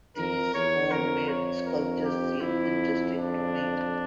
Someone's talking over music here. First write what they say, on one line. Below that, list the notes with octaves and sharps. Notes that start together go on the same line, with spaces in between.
These home-made sculptures seem interesting to me.
F2 A#4
E2 C#5
F2 A#4
C#5
A#4
G4
F2 E4
D4